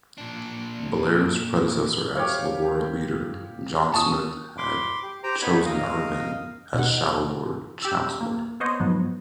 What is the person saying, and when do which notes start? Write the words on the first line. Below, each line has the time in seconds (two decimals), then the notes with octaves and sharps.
Blair's predecessor as Labour leader, John Smith, had chosen Irvine as Shadow Lord Chancellor.
0.18 A#2 D4
2.15 G4 C#5 F5
3.94 A5 C#6 D#6
4.58 B5 C6 D6
5.03 G4
5.23 G4 C5 G5 A#5
5.42 B3 D#4 B4 C#5
5.65 A#4 D#5 F5
6.74 B2 D#4 F#5
7.82 G4 E6
8.21 A#3
8.60 B3 C5 C#5 D#5
8.80 G#2 F3 F#3 B3